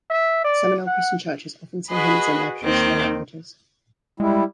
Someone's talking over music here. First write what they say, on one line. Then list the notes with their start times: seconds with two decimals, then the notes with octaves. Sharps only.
Seminole Christian churches often sing hymns in their traditional languages.
0.10 E5
0.44 D5
0.86 F#5
1.90 F#4 G#4 B4 D#5 B5
2.63 D#2 D#3 C4 D6
4.20 G3 G#3 E4